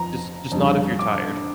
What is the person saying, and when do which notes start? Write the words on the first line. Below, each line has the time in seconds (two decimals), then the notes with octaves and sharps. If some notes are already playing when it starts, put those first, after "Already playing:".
Just just not if you're tired,
Already playing: F2 F3 A#5
0.52 F2 D3 G3
0.99 D6